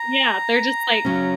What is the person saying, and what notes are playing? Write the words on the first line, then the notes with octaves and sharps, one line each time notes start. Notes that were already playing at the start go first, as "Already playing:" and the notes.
Yeah, they're just like
Already playing: A#5
C#3 F#3 C#4